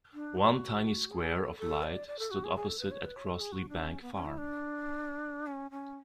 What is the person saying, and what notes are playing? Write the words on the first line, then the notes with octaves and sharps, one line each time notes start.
One tiny square of light stood opposite at Crossleigh Bank Farm.
D4
F#4
G#4
A4
A4
D5
D5
A4
F#4
G#4
G#4
A4
B4
C#5
B4
C#5
A4
G#4
F#4
D4
C#4
B3
C#4
E4
D4
C#4
C#4